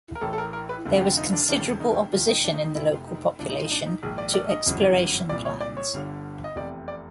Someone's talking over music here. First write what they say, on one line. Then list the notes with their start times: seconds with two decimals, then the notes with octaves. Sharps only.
There was considerable opposition in the local population to exploration plans.
0.15 A#4
0.21 A1 A2 E3 A4
0.33 A4
0.38 A#4
0.53 A#4
0.69 B4
0.85 F1 F2 D3
0.93 F#4
1.01 G4
1.17 D#4
1.33 D4
1.49 E1 D#2 C#3 E3 D4
1.80 D#4
1.92 G4
2.13 E1 D#2 D#3 F4
2.28 D#4
2.44 D4
2.54 D#4
2.64 D#4
2.75 F1 F2 C3 E4
3.07 D#4
3.39 C2 D4
3.42 A#2
3.49 D#4
3.64 D#4
3.71 D4
3.86 D#4
4.03 A#1 G#2 D#3 G#4
4.18 D5
4.34 D5
4.50 D#5
4.66 G1 F#2 C#3 E3
5.29 C2 D5
5.33 A#2
5.45 C#5
5.61 D5
5.77 C#5
5.93 G1 G2 D3
6.44 D#5
6.56 F1 E2 C3 D5
6.88 D5